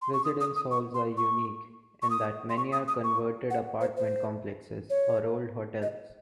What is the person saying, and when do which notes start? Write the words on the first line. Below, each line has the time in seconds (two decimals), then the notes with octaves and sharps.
Residence halls are unique in that many are converted apartment complexes or old hotels.
0.02 C6
0.13 C#6
0.25 D#6
0.41 D#6
0.56 D#6
0.71 C#6
0.94 C6
1.17 C#6
2.02 C#6
2.10 D#6
2.50 C6
2.57 C#6
2.73 D#6
2.88 D#6
3.04 C#6
3.51 F#5
3.81 C5
3.97 C5
4.90 C#5
5.82 D#5